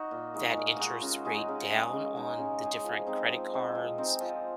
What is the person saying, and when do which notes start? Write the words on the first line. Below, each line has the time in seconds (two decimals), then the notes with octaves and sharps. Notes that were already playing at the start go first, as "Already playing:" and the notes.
that interest rate down on the different credit cards
Already playing: D#4 F#4
0.11 A#2
0.34 G#3 D#4 F#4
0.57 A#2
0.79 G#3 D#4 F#4
1.02 C#3
1.25 G#3 D#4 G#4
1.48 C#3
1.70 G#3 D#4 G#4
1.93 C#3
2.16 G#3 D#4 G#4
2.38 C#3
2.61 G#3 D#4 G#4
2.84 F3
3.07 G#3 C4 D#4
3.30 F3
3.52 G#3 C4 D#4
3.75 F3
3.98 G#3 C4 D#4
4.21 F3